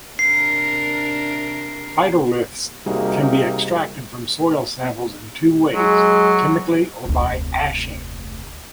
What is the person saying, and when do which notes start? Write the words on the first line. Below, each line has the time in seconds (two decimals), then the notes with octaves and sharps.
Phytoliths can be extracted from soil samples in two ways: chemically or by ashing.
0.19 C3 D4 A#4 C7
2.86 C3 G3 A#3 D#4 F#4 G#4
5.75 F#3 G#3
7.05 F1 D2